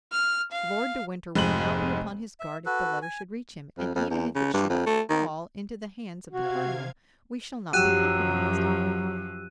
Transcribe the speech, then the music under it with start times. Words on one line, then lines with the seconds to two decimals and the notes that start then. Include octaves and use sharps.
Lord de Winter will now be upon his guard if the letter should reach him; and even if it should fall into the hands of the cardinal, we shall not be compromised.
0.12 F6
0.51 F5
1.35 F1 G#2 F#7
2.40 E5
2.66 F#4 A4 B4
3.02 G#5
3.78 F2
3.95 F2
4.10 E2
4.35 C#3
4.53 G2
4.70 F2
4.86 A3
5.09 D#3
6.32 C3 F#4 F5 G#6
7.73 F#2 F3 F#3 F#4 G4 E6 F#6 D#7